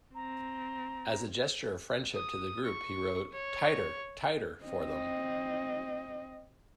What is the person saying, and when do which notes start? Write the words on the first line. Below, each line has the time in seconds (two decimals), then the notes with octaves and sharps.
As a gesture of friendship to the group he wrote "Tighter, Tighter" for them.
0.15 C4 A#5
2.15 D#6
2.64 C#6
3.33 C#5
4.64 C4 D#5